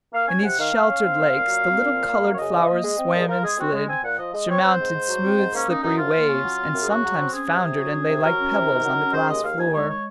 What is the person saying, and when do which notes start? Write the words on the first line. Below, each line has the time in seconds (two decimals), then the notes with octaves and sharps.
In these sheltered lakes the little coloured flowers swam and slid; surmounted smooth slippery waves, and sometimes foundered and lay like pebbles on the glass floor.
0.13 A#3 F5
0.28 C#4 G#5
0.43 C3 F#5
0.58 D#3 F5
0.72 A#3
0.87 C#4
1.03 C4
1.18 A#2
1.33 A#2
1.47 F#3
1.63 C4
1.77 A#2
1.93 F3
2.09 A#3
2.24 F#2
2.34 C#5
2.38 C#3 D#5
2.54 F3
2.68 A#3
2.83 G#3
2.98 C4
3.13 A#2
3.19 G#4
3.28 F3 A#4
3.43 G#3 G#4
3.58 C4 F#4
3.72 G#3
3.88 C4 G#5
4.03 A#2 F#5
4.18 F3 D#5
4.33 G#3 D#5
4.48 C4 C#5
4.62 C4 C5
4.78 G#2
4.93 G#2
5.08 F#3
5.23 C4
5.37 G#2
5.53 A#3 C#4
5.68 C#4 D#4
5.83 F#2 D#4
5.97 F3 F4
6.13 A#3
6.28 C#4
6.43 F#3
6.59 C4
6.74 F#2
6.82 G#4
6.88 C#3 F#4
7.02 F#3
7.19 C4
7.32 C#4 G#4
7.49 C3
7.63 C3
7.78 F#3
7.92 C#4
8.08 C3
8.22 F#3 A#4
8.38 C#4
8.52 C3
8.69 D#3
8.84 F#3
8.98 C#4
9.12 G#3 C5
9.27 D#2 D#5
9.43 D#2 F5
9.57 D#3 G#5
9.73 G#3 C#5
9.88 C#5